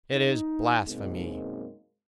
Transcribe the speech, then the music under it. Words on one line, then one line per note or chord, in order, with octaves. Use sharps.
"It is blasphemy!"
D#4
F#2 B2 G#3 A#3 C4 D#4